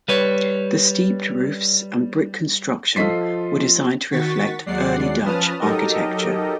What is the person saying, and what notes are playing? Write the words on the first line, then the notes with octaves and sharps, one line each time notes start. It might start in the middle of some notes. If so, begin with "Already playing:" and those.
The steeped roofs and brick construction were designed to reflect early Dutch architecture.
G3 B4 C#5
F3 F4 A4 D#5 B6 C7
D#3 F#4 C#6 A6 B6
D#2 F#3 G#3 D5 F#5 C7
F3 C#4 B4 A5 D#6 F6
F#3 D#4 G4 A4 A#4 D#5